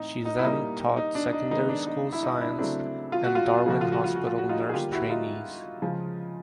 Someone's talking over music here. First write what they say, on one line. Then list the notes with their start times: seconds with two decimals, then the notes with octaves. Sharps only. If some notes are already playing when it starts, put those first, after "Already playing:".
She then taught secondary school science and Darwin Hospital nurse trainees.
Already playing: A2 E3 C4 D#4
0.25 D#4
0.39 E4
0.43 A#2 G3 A#3 D#4
0.97 D#4
1.15 D4
1.33 D#4
1.51 D#3 G#3 B3 D#4
1.69 D4
1.87 D#4
2.12 E4
2.23 D#4
2.41 D4 E4
2.58 C#3 F#3 A3 C4 D4 E4
3.12 F4
3.24 F#4
3.35 F4
3.47 F#4
3.58 F4
3.66 C#3 F3 A3 F#4
3.81 F4
3.92 F#4
4.04 F4
4.15 F#4
4.27 F4
4.38 F#4
4.49 D#4 F4
4.69 G#4
4.73 D3 G3 A#3 F4 G4
4.92 E4 F#4
5.10 D#4 F4
5.82 C#3 F3 G#3